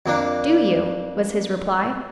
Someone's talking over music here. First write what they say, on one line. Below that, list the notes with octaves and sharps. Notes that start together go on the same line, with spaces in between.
"Do you?" was his reply.
F2 A#3 D4